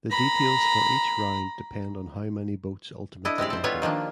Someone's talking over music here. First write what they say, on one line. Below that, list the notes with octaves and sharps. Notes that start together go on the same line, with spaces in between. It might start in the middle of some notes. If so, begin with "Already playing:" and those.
The details for each round depend on how many boats ultimately enter.
A#5 B5
D4 E4 A4 D#5
G#3 C4 G4 D5
A4 C5
G3 B3 F4 A4 B4 C#5
D#3 F3 A#3 D4